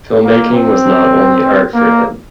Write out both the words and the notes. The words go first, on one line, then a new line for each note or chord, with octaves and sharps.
Filmmaking was not only art for him.
A#3
C4
A#3